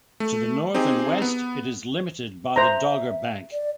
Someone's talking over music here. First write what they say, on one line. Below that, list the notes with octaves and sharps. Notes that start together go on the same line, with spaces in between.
To the north and west it is limited by the Dogger Bank.
A3
C4 D#4 G4 G#4
B3
C5 E5 A#5
D5